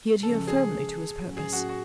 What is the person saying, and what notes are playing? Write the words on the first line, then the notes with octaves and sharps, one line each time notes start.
He adhered firmly to his purpose.
C#3 F3 G#3 C#4 A4
G#4
A2 F#3 C#4
G#4
F#4
F#4